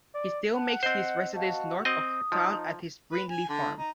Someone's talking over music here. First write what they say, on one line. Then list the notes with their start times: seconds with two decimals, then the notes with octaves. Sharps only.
He still makes his residence north of town at his Brindley Farm.
0.15 D5
0.55 F#5 A5
0.83 C4 C5 D#5
1.35 F#4 D#5 F5 A5
1.85 C4 D#5 D#6
2.32 F3 D#4
3.11 B4
3.30 G#5
3.49 D3
3.78 D#4